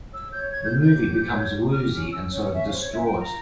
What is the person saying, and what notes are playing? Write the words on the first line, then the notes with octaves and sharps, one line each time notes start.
The movie becomes woozy and sort of distraught.
C#5 E6
C#5 G6
C#5 G#6
G6
C#5
G6
G4
G4
C#5
G4
G4 F6
C#4
C#4 E6
C#4 C#5
C#5
C#4 E5
F5
C5
C#5
C#4 E5
G5
F4
A#5